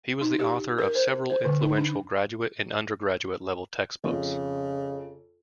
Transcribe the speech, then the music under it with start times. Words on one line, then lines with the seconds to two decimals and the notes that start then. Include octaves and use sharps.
He was the author of several influential graduate and undergraduate level textbooks.
0.21 D#4
0.39 G4
0.78 A#4
0.95 C5
1.30 C5
1.45 D3
1.62 D#4
1.78 D4
4.04 F2 C#3